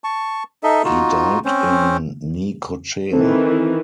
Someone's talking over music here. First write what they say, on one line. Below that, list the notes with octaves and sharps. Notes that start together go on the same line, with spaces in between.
He died in Necochea.
A5 C#6
D#4 A4 D#5 E5
D#4 F4 F#4
C4 C#4 C5
D#3 E3 C4 A4